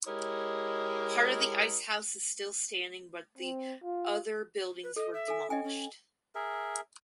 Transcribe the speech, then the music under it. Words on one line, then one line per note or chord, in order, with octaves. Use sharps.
Part of the ice house is still standing but the other buildings were demolished.
G#3 E4 G4 A#4 C#5 D#5
C4
F4
B4
A4 D#5
E5
A4 G#5
C#4 D#5 G5 G#5
C#4
G#4 A#4 E5